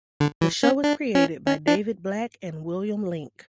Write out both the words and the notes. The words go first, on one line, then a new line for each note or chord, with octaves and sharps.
The show was created by David Black and William Link.
D3
E3
C#4
D4
C#4
C#4
D4